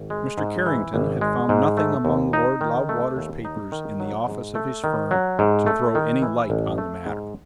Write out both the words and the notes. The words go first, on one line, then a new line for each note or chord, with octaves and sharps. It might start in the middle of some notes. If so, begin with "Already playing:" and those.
Mr. Carrington had found nothing among Lord Loudwater's papers in the office of his firm to throw any light on the matter.
Already playing: G#1
G#3
G#2
E3
G#1
G#3
G#2
A3
D#2
D#4
D#3
A3
D#2
D#4
D#3
F#3
G#2
A3
D#3
F#3
G#2
A3
D#3
E3
A1
A3
G#2